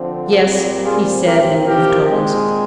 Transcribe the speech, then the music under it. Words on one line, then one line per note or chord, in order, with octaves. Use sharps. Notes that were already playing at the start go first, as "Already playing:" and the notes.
"Yes," he said, in moved tones.
Already playing: D3 F3 C4
A#2 G3 C4
F4 G#4
A#2 F3 C4 G4 A#4
G4 A#4
A#2 G#3 C4